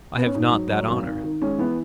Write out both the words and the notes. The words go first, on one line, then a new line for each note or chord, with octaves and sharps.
"I have not that honor."
B3
C#4
G#2 D#4
F#3
F#3
G#1
D#3
D#3
G#3 C#4
E3 B3